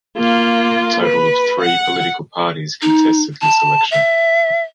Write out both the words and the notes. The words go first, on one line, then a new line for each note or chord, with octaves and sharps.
A total of three political parties contested this election.
A#3 F4
B4
F#5
D#4
A5
E5